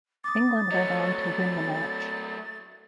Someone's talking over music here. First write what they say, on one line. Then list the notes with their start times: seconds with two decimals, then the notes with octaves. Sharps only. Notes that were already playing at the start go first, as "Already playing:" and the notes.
England went on to win the match.
0.24 D6 D#6 A6
0.72 F#3 A3 C#5 D#5